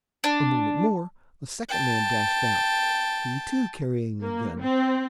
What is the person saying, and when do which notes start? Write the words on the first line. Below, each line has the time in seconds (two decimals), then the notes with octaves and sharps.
A moment more a second man dashed out, he too carrying a gun.
0.24 D4
1.69 G5 A5
4.22 A#3
4.60 C4